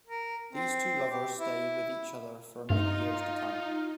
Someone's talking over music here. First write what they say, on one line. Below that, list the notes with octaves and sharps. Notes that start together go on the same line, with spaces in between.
These two lovers stay with each other for many years to come.
A#4
C4
G4
E4
G2 A3 D#4 F4